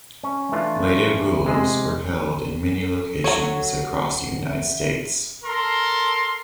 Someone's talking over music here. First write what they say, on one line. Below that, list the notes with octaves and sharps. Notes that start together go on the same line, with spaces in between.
Later Boules were held in many locations across the United States.
C#4 C#5
E3 A3 D4 F4
C3 G#3 G#4
A4
F#3 C#5
E5
A4 A#4 C6